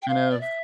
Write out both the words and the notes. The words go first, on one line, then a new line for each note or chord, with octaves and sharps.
kind of
G5
F5
D5
E5